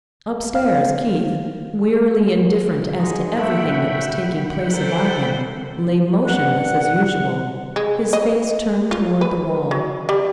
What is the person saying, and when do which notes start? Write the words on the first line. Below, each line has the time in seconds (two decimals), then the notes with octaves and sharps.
Upstairs, Keith, wearily indifferent as to everything that was taking place about him, lay motionless as usual, his face turned toward the wall.
0.55 F5
3.00 G#3 D#4 F#4 G#4
3.37 A#2 F#3 A3 E5 F#5 G5 B5
4.70 C4 A4 A#4 C5
6.27 G2 F#5
7.76 G#3
8.13 D#5
8.91 F4
9.21 B4
9.71 F#3
10.09 G3